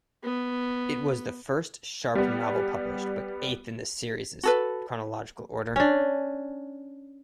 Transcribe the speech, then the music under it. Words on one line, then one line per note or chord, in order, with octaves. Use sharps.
It was the first Sharpe novel published, but eighth in the series' chronological order.
B3
G3 B3
F#4 A4 B4
C#4 D4